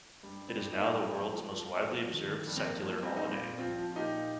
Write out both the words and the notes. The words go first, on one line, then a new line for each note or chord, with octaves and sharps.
It is now the world's most widely observed secular holiday.
G2 G3
G2
G3 C4
F3
A#3 D#4
F3
F2 G3 C4
F2
F3
F3
F2
F2
D#3
D#3
F2 G3
C4
F2 A#3
F3 A#3
F3 G3 C4
D#4
A#2 G3 C4
A#2
F3 C4 F4
F3
F4
A#2 D#4 G4
A#2